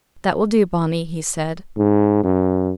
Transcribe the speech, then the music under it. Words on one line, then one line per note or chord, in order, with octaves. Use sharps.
"That will do Bonni," he said.
G#2
F#2